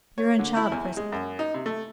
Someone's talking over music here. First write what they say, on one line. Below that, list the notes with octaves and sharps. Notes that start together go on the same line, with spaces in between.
"Your own child at present."
C#5
D3
E4
E2
G#3
F#2
D#4
C3
A3